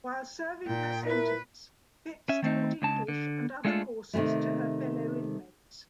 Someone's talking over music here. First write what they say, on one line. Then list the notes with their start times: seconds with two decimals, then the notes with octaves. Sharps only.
While serving her sentence, Phipps taught English and other courses to her fellow inmates.
0.67 A#2 G5
1.07 E4 A#4 B4
2.29 C#4 E5
2.42 D#3 A3 C4 D#4
2.82 C#2 C#3 A5
3.08 D3
3.65 G#3 A3 D4 F4 A4
4.13 C3 D#3 E3 G#3 A3